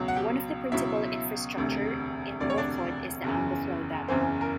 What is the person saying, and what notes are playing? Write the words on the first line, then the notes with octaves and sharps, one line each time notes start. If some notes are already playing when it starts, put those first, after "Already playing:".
One of the principal infrastructure in Bokod is the Ambuklao Dam.
Already playing: C#2 B2 F#3
F#5
G4 G5
C#2 B2 F#3 E4 E5
E1 D2 C3
E1 D2 C3 D5
C#5
D4 D5
F#1 E2 C#3 E3
F#1 E2 C#3 E3 C4 C5
A#4